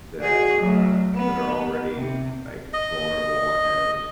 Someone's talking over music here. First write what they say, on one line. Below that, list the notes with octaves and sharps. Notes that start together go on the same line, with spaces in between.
that, um, that are already, like, vulnerable and,
F#4 G#4
F#3 A3
B3
C3
D#5